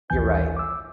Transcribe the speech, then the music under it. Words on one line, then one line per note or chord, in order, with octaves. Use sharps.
You're right.
A#1 D#2 E3 G#5 G6
D6 E6